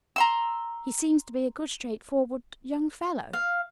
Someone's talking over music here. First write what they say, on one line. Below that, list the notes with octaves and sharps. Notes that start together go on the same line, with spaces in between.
"He seems to be a good straight-forward young fellow."
A#5 C6 E6
F5